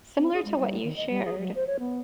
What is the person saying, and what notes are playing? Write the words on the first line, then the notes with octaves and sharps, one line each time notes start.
Similar to what you shared
C4
G#4
G#3
G3
D#3
D#5
G3
G#4
F#3
C5
C#5
B3